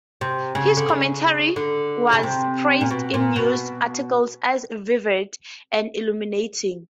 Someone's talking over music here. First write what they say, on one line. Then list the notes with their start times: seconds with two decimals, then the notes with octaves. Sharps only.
His commentary was praised in news articles as "vivid" and "illuminating".
0.21 C3
0.55 C#3
0.77 D3
0.89 C#3
1.56 D3
2.13 C#3
2.23 C3
2.81 A#2
2.90 B2
3.14 A#2
3.36 B2